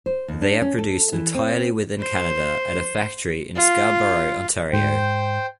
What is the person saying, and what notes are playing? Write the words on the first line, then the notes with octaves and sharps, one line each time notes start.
They are produced entirely within Canada, at a factory in Scarborough, Ontario.
C5
D#2
D4
C#4
A4
E3
C4
C5
F4
G#2 C5 G5